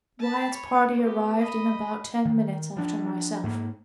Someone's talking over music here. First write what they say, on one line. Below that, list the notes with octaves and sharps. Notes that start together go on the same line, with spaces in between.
Wyatt's party arrived in about ten minutes after myself.
A5 B5
C#5
B3 G4
D#5 B5
D#3
F3 D4
G#2 A#3